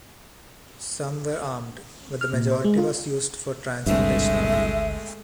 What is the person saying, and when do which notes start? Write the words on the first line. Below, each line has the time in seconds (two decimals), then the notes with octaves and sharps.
Some were armed, but the majority was used for transportation only.
2.21 F6
2.33 A#2
2.51 C5
2.65 G#3
2.78 F4
3.86 G#1 D2 G2 C3 G#3 A3 E5